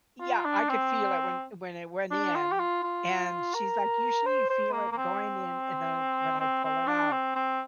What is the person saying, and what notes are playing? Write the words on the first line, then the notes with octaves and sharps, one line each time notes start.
yeah. I could feel it when when it went in and she's like, "Usually, you feel it going in and then when I pull it out."
F4
D4
C4
D4
F4
G4
F4
F4
A#4
C5
C5
A#3
A#3
C4
C4
C4
D4
C4
C4